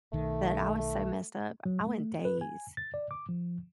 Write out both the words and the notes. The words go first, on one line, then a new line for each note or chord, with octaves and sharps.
that I was so messed up, I went days,
B1 D#3 A3
F#3
A3
B4
G#5
A6
D5
D6
F3